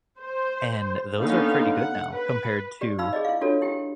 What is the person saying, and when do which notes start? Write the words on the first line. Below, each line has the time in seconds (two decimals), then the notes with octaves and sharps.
and those are pretty good now compared to,
0.19 C5
1.19 D3 A#3 B3 C#4 D#4 F5
1.75 F#5
2.13 B4
2.81 G4 D5
2.98 D#4 F5 B5 E6
3.13 G#4 D5 D#5
3.25 E4 F5
3.41 D4 F4 F#4 A4 C#5
3.62 E4 G4 G5